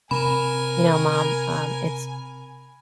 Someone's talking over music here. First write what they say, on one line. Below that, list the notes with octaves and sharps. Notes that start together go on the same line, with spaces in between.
"You know, mom, um, it's
C3 C4 A#4 G#5 B5